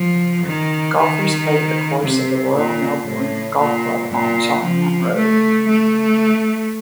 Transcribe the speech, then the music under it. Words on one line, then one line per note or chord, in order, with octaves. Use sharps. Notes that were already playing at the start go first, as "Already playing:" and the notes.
Golfers play at the course of the Royal Melbourne Golf Club on Cheltenham Road.
Already playing: F3
D#3
D#3
C3
A#2
A2
A#2
A#2
F3
A3
A3